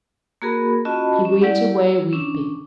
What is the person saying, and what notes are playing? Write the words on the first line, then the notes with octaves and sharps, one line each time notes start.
He went away weeping.
A#3 F#4 G#4 A#4 B5
C#4 F4 F#4 D#5 A5 B5
C#4
G3 E4 G4 D5 F#5
E6
C#4 D4